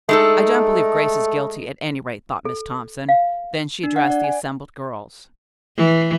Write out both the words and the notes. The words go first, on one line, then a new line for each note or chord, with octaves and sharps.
"I don't believe Grace is guilty, at any rate," thought Miss Thompson; then she addressed the assembled girls.
G#3 A3 D#4 A4
A4
F5
D4
F#5
D5
G#5
E3